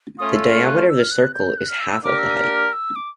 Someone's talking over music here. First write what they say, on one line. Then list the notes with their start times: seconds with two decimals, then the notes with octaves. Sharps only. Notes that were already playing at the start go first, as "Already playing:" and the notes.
The diameter of the circle is half of the height.
0.19 A3 C#4 F4 D#6
0.34 E6
0.50 F6
0.65 F#6
0.77 F6
0.88 E6
1.00 F6
1.11 F#6
1.34 G6
1.58 F#6
1.69 F6
1.80 E6
1.92 E6
2.03 A#3 D4 G4 A#4 D6
2.19 E6
2.34 F6
2.49 F6
2.73 E6
2.96 D6